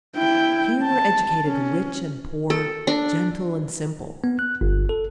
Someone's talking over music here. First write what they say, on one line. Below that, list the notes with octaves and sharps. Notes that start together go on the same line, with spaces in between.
Here were educated rich and poor, gentle and simple.
E4 G5
A5
C#4
A4
D4
B3
F#6
G1
A4